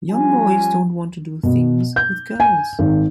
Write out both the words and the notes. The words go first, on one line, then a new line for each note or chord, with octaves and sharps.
Young boys don't want to do things with girls.
F3 G3 C#4 F4 G#5
B2
G6
G#5
G#1